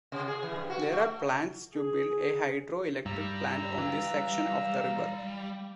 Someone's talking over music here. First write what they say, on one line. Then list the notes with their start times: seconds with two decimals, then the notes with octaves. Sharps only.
There are plans to build a hydroelectric plant on this section of the river.
0.12 C3
0.28 G#4
0.43 E3
0.56 G2
0.70 F#4
0.92 A3
1.75 G#4
3.06 G2 G3 A#5 E6
3.78 E3 F5